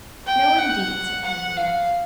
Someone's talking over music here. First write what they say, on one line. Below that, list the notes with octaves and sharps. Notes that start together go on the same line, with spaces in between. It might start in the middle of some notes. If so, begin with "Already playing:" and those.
"No, indeed," said Henriette.
G5
F#5
F#5
F5